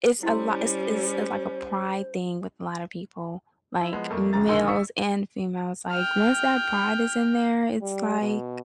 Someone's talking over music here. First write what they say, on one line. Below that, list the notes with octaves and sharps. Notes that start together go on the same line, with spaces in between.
it's a lot it's it's, like, a pride thing with a lotta people, like, m males and females, like once that pride is in there, it's, like
G3 C#4 E4 C5 C6
E4
F3 G#3 B3
F2 A3 A#3
D1 A#1 C#3 A#5 A6
A#1 D3 D#3 C6 E6 C#7
C#6 D#6 E6 B6 C#7
G5 F6
G3
B2